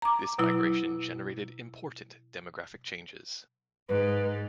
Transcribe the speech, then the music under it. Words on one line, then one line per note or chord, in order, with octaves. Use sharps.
This migration generated important demographic changes.
A#5 D6
B2 F#3 E4
G#2 B4